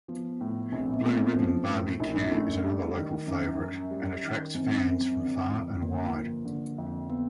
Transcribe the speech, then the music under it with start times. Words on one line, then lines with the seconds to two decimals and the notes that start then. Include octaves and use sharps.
Blue Ribbon Bar-B-Q is another local favorite, and attracts fans from far and wide.
0.08 F3 B3
0.41 A2
0.72 A#1 C4
0.94 B3
1.04 A3 B3
1.15 C4
1.36 F3 C#4
1.67 A2
2.00 A#1 D#4
2.11 D4
2.22 C#4
2.31 A3 D4
2.64 G3
2.96 D#3
3.27 F#2 C#4
3.59 F#2
3.91 G3
4.23 D#3
4.54 F#2 C4
4.87 F#2
5.18 D3
5.51 F2
5.82 G1 A#3
6.14 F3
6.45 D3
6.78 F2
7.10 B3